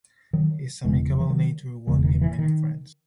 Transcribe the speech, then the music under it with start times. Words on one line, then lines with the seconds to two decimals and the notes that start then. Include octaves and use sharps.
His amicable nature won him many friends.
0.33 D#3 F#3
0.84 E1 E2 C#3 E3 G#3
1.11 F#3
1.20 E3
1.29 D#3 F#3
1.87 E1 E2 C#3 E3
2.04 D#3
2.21 E3
2.39 D#3